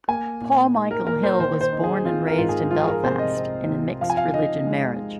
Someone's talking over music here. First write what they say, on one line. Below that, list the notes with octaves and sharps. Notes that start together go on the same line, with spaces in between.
Paul Michael Hill was born and raised in Belfast in a mixed-religion marriage.
A#3 G#5
A#2
D#4
A#4
A#2 A#4
C5
D#3 C5
C5
D#4
G#4
C4 F4
A#4
G#2 F4
G#4
F3 F4
G#4
A#4
C3 C5
D#5
C4
C3
F3 F5
G#5
F5
D#4 D#5
G#3